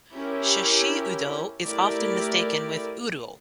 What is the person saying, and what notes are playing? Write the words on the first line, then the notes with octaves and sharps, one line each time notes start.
Shishiudo is often mistaken with udo.
C#4 E4 G4 A#4
A3 E4 G4 A#4 D5